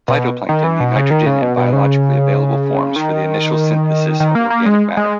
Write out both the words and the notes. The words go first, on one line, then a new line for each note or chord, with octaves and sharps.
Phytoplankton need nitrogen in biologically available forms for the initial synthesis of organic matter.
B2
D#3
E3
B2
C#3
D#3
C#3
B2
B2
C#3
D#3
D#3
A#3
A#3
G#3
G#3